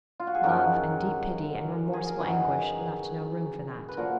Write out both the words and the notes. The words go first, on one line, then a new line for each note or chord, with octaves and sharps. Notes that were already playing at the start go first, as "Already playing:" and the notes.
Love and deep pity and remorseful anguish left no room for that.
F4
F#4
G#4
F#2 D#3 F#3 F#4 A#4
G#4
A#4
F#2 D#3 F#3 G#4 B4
B4
A#2 F3 F#4 A#4